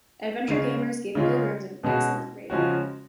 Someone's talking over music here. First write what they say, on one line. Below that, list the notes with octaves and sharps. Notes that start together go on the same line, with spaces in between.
Adventure Gamers gave Pilgrims an "excellent" rating.
C#3 G#3 C#4
C#3 G#3 C#4 F4
B2 G#3 C#4 F#4
C#3 F3 G#3 C#4 F#4